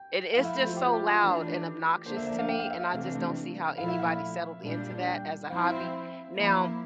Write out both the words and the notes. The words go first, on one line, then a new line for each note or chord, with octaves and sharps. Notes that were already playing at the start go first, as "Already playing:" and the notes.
It it’s just so loud and obnoxious to me, and I just don't see how anybody settled into that as a hobby. Now
Already playing: G5
F3 A3 E4 F5
E5
C5
F4
G4
F4
G4
E3 A3 D4
D3 F3 A#3 D4 C5
E5
E5
F5
G5
F5
E5
F5
C3 E3 A3 D4
A#2 F3 A3 E4 F5
E5
F5
A#2 G3 D4
G5
F3 C4 E4 F5
E5
F3 A#3 E4